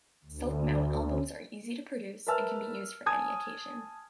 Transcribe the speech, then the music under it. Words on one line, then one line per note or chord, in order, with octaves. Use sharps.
Self-mount albums are easy to produce and can be used for any occasion.
D2
A#4 B4 E5 A5 E6 F6
G#5 A5 D#6 G#6